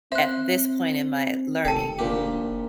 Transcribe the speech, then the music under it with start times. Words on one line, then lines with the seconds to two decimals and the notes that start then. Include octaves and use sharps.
at this point in my learning,
0.12 C4 C5 E5 F#6
1.65 F1 D#2 A4 G5 A5
1.99 A#1 A#2 G4